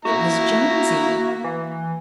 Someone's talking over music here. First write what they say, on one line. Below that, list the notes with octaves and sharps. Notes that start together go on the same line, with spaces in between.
It was Jonesy.
A#3 E4 F#4 A#5
E3